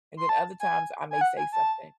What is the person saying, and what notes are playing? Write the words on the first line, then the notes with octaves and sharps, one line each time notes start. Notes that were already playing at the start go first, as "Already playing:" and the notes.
and then other times, I may say something
C6
A5
G#5
G#5
F#5
G#5
A5